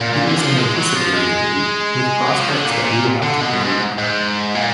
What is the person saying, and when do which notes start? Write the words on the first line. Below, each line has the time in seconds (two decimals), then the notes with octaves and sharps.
It is an anticipated debate with prospects that we will have to carry out.
0.01 A#2
0.13 A#2
0.25 D3
0.38 F3
0.57 G#3
0.76 F#3
0.95 F3
1.13 G#3
2.27 F#3
2.40 F3
2.48 D#3
2.53 D3
2.65 A#2
2.84 A#2
3.22 D3
3.41 B2
3.61 G#2
3.98 G#2
4.55 A#2